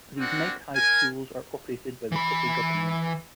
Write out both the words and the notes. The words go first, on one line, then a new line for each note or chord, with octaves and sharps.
These night high schools are operated by the city government.
A#3 C4 D4 F#4 F#5
A#4 G#5
E3 B5